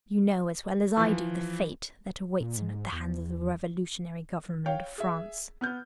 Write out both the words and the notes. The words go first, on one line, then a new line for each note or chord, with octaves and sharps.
You know as well as I do the fate that awaits him at the hands of the Revolutionary Government of France.
E3 F3
A#2
G#2
E2
C#5 F5 G5
G#4 E5
B3 F6 G6